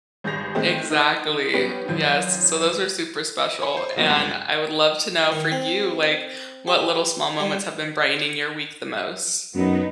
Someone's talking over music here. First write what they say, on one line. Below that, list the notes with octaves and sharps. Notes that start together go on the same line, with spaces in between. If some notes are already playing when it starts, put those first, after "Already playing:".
Exactly, yes, so those are super special, and I would love to know for you, like, what little small moments have been brightening your week the most?
G#1 G2 G#4 G6 A#6 F7
D#3 G#3 A3 C4
D#4 D#7
G3 B3 C#4 G4 B4
F#2 D#3 F3
C#5 G#5 B5 C6
C5
C#3 F3 F#3 A#3 B3
C#2 G2
D#3
C4
G4
G3
F#2 F#3 B3 D#4